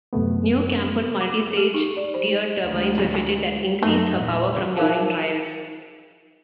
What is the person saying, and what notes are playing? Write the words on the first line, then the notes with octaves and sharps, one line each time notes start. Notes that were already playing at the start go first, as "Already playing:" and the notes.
New Kampon multi-stage geared turbines were fitted that increased her power from during trials.
F#2 C3 A3 B3
D6
G#4
G4
D#4
D5
C5
D2 G#3
F#2 A3 D#4
E2 A#2
C#4 D#4 G#4 A#4 F5 A5